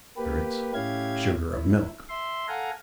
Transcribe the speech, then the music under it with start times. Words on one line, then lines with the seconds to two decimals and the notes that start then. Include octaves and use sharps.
Spirits. Sugar of milk.
0.17 A#3 G4 B4
0.74 A2 C#4 E4 G4 F5 G#6
1.53 E4
2.09 E5 C6
2.48 A4 F5 F#5 G#5 A#5